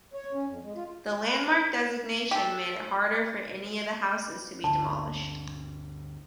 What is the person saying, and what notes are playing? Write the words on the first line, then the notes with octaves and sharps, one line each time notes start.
The landmark designation made it harder for any of the houses to be demolished.
C#5
C#4
F2
G#3
F4
B4
G4 A4
G1 D2 D3 A5